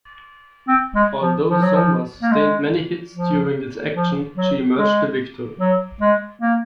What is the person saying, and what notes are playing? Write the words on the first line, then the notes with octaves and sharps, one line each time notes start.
Although "Somers" sustained many hits during this action, she emerged the victor.
C4
G#3
F3
F3
F#3
F3
A#3
G#3
F3
F3
F#3
G#3
F#3
G#3
A#3